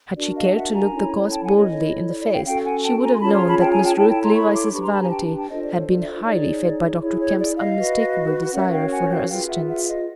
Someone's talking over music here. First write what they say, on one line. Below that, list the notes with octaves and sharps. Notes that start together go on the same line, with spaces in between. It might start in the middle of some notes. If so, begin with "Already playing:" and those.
Had she cared to look the cause boldly in the face, she would have known that Miss Ruth Levice's vanity had been highly fed by Dr. Kemp's unmistakable desire for her assistance.
D4 F#4 A#4 D5
D#5 F5
E5 F#5
G#5 A#5
C#4 E4 A4 C#5
G5 A5
F#5 G#5
C#5 D#5
E4 A4 C#5
D5
D5
F5 G5
C#4 F#4 A4 F5 G5
F#5 G#5
G5 A5
G#5 A#5
C6
C#4 F4 G#4 C#5 A5 B5
A#5 C6
A5 B5
G5 A5
G#5 A#5
G5 A5
E4 A4 C#5 G5 A5
G5 A5
A#5 C6
B5 C#6
C6 D6
D4 G4 B4 B5 C#6
A#5 C6
A5 B5
G#5 A#5
G5 A5
G5 A5
D4 F4 A4 C5 C#5 D#5
D5
C#5
D5
D5 E5
D#4 G#4 C#5 D5
E4 G#4 C#5
C#5
D5
D#5 F5
F#4 B4
C#4 F#4 A#4 C#5 E5 F#5
F5 G5
F#5 G#5
F5 G5
F4 G#4 B4 F5 G5
E5 F#5
E5 F#5
D#5 F5